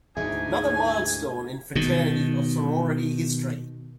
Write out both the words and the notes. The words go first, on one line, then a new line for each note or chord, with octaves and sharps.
Another milestone in fraternity or sorority history.
D2 G#2 D#4 E4 G#4 D#5 G#5
B2 D#3